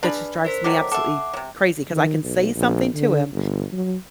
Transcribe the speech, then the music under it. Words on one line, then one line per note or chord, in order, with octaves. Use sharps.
that just drives me absolutely crazy 'cause I can say something to him,
D4 G#4 B4 B5
A#4 C5 B6
D#3 F#3 A3 D6
A4 E5 F#5 D6
C3 F#3
D#3
B1
A#1
D3
G1
F#3